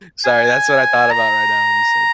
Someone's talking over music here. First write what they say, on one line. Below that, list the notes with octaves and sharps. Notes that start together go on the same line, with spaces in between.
Sorry, that's what I thought about right now when you said
G#5
A#5